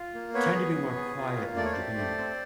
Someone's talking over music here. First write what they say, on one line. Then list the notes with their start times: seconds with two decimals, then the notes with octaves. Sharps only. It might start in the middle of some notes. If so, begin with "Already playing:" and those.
tend to be more quiet in their demeanor,
Already playing: F4
0.14 A#3
0.34 B3 B4 C#5
0.55 G#4
0.75 B3
0.96 G#4
1.16 F4
1.36 A#3
1.57 A3 D5
1.65 C#5
1.72 C5 D5
1.78 G4
1.98 A3
2.18 C4